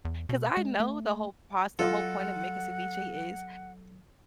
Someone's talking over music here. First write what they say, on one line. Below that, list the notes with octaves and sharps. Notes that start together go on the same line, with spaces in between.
'cause I know the whole proc the whole point of making ceviche is,
E2
B2
G#3
A3
F#3 F4 A4 D#5 F#5